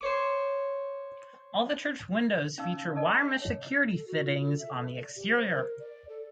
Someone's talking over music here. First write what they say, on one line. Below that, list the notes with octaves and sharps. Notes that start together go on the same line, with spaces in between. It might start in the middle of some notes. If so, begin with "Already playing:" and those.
All the church windows feature wire mesh security fittings on the exterior.
C5 C#5 D6
C#4 D#4 F5 E6
A4 D#5 A5 E6
C#5
A4
F#4
F4
A4
E5
A4
D5
G4
C5
A#4
D5
A4